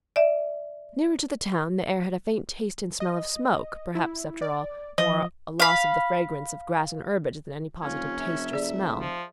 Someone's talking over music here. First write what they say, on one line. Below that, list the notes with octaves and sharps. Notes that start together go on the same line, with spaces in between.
Nearer to the town, the air had a faint taste and smell of smoke; perhaps, after all, more a loss of the fragrance of grass and herbage than any positive taste or smell.
D5 E5
D#5
E4
D5
F3 D#5
F5 B5
F1 C#4 F4
E5 G#5
G#4 D5
F3